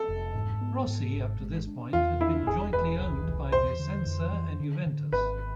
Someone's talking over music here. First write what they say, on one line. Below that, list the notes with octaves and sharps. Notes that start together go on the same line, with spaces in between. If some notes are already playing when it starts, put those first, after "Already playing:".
Rossi up to this point had been jointly owned by Vicenza and Juventus.
Already playing: A4
F1
G#2
B3
G#2
G#1
G#3
D4
E2 F4
D4 E4
E1 G#4
E1 B4
C2
C2
E2 C5
D3
F2
E3
D3
D3
G#1 B4